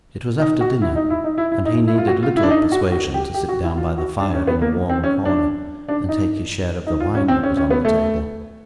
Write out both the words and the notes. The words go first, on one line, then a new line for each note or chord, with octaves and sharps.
It was after dinner; and he needed little persuasion to sit down by the fire in a warm corner, and take his share of the wine that was on the table.
D#4
F#4
E4
D#4
E4
D#4
E4
E4
D#4
E4
F4
F#4
F4
E4
D4
D#4
F#4
F#4
G4
G4
F#4
E4
F4
F#4
D4
C#4
B3
A#3
C4
C#4
D4
D4
D#4
D#4
F4
C#4
C4
C#4
C#4
B3
A3